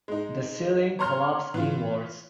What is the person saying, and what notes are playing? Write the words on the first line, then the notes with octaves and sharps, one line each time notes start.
The ceiling collapsed inwards.
G#3 D#4
C#5 A#5 C6 F6
E3 F4